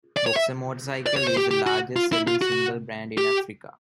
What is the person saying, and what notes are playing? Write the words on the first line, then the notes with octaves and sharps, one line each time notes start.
Boxer motorcycle is the largest selling single brand in Africa.
D5
C#5
E5
D5
C#5
C5
G4
G4
F#4
F4
E4
F4
F#4
G4